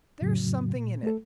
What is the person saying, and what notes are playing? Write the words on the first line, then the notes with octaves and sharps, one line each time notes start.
There's something in it.
F2 A2 C#3 F#3
A#2
A3 A4